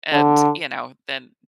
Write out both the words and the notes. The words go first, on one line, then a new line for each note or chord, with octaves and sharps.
and, you know, then
D3